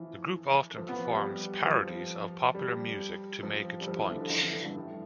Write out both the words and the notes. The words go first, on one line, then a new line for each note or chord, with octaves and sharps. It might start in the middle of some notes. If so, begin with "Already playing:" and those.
The group often performs parodies of popular music to make its point.
Already playing: E3 F3
F3
B3
G3
F3
G3
F3
G3
F3
E3
D3
D3
D3
E3
D3
G2
A2